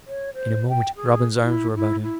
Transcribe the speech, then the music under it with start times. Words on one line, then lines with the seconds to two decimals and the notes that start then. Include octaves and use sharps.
In a moment Robin's arms were about him.
0.07 C#5
0.34 C5
0.69 G5
0.96 G#4
1.41 E4
1.75 E4
2.02 E4